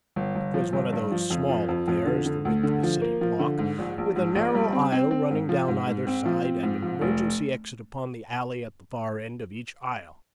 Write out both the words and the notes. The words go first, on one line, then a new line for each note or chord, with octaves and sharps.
It was one of those small affairs, the width of a city block, with a narrow aisle running down either side and an emergency exit upon the alley at the far end of each aisle.
G1
G1
F3
G1
G2
F3
F2
F3
F2
F2
D3
D3
D2
D3
F3
A#3
F3
D3
G#2
A#1
A#1
G#2
A#1
G3
C4
C4
C4
G#2
F3
G#2
G#2
C4
F3
C4
G#2
F3
F1